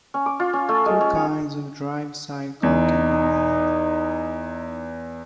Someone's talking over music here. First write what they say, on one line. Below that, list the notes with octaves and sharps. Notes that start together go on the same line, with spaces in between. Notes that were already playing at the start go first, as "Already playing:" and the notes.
Two kinds of drive cycle can be made.
C#4
D6
F4
C#4
A3
G#3
C#4
C#5
E2 D#4